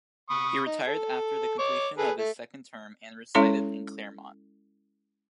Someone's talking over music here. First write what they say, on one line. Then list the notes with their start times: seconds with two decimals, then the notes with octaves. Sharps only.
He retired after the completion of his second term, and resided in Claremont.
0.30 B5 C#6 D#6
0.66 D#4
0.87 A4
1.59 C#5 D6
1.98 G#4 A4 B4
2.18 A3
3.35 G#3 C#4 E4 A4 C#5 C6